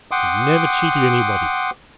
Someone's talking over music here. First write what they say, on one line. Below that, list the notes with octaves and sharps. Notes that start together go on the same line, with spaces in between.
He never cheated anybody.
F#5 G5 C6 D6 D#6